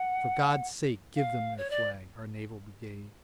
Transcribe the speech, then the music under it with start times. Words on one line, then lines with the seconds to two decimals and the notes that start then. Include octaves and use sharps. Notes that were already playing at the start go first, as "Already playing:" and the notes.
For God's sake give them their flag, our Naval Brigade!
Already playing: F#5
1.16 F5
1.58 C#5
1.70 D5